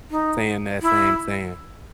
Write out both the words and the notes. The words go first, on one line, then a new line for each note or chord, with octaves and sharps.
saying that same saying,
D#4
E4